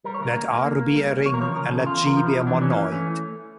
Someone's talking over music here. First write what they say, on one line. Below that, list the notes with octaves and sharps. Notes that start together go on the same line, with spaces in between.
Let "R" be a ring and let "G" be a monoid.
G3 A#4
C#5
D2 A#4
A#3
A#3
A#3
A#3
G3
A#3
E2 C#5
A#4
F3 C#5
C#3 A#4
E2 A4
E2 F4
E2
A#4
F3
E4
E2
E3 D4
E3 C#4
A#3
E3 C#4
A3 C#4